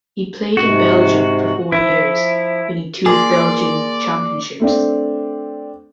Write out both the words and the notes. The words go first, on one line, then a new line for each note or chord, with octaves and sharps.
He played in Belgium for four years, winning two Belgian championships.
G#2 C3 F#4
F3 E4
A#3 G#4 A#4 D5 C6
A3 C4 D4